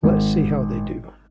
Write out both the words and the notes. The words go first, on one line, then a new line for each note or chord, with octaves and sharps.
Let's see how they do.
G#1